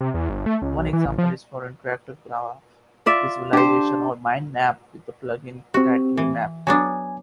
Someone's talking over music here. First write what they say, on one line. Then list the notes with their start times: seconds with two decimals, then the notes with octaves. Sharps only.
One example is for interactive graph visualization or mind-maps with the plugin TiddlyMap.
0.01 C3
0.14 E2
0.29 G1
0.46 A3
0.62 C#2
0.77 B1
0.93 E3
1.06 A1
1.18 F3
3.06 F4 D5 E5
3.53 D4 G4 C5
5.74 C4 F#4 G4
6.17 E3
6.67 F#3 B3 D4 G#5